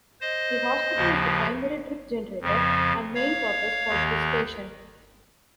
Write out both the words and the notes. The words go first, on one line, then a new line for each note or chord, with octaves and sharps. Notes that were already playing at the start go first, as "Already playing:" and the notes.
The hospital is the primary trip generator and main purpose for this station.
C5 D#5
D#2 C#3 F3
F2 C#3 F3
C#5 F5
D#2 D#3